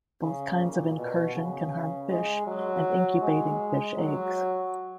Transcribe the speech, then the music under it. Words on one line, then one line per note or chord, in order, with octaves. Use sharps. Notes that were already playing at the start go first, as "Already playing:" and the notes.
Both kinds of incursion can harm fish and incubating fish eggs.
C#3
A#2
B2
C#3
G#3
F#3
G#3
F#3